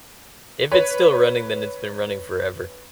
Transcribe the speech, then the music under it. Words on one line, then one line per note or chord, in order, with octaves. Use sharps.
if it's still running, then it's been running forever.
B4 C#5